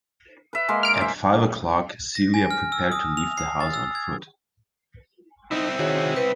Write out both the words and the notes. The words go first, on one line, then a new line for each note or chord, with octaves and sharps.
At five o'clock, Celia prepared to leave the house on foot.
B4 E5
G#3 A#3 C6
F6 D7
C5 E5
A#6
G#5
F6
E6
D#6
F7
C7
A6
E6
G#6
C4 D#4 E4
D#3 F#4 G#4 C#5
B4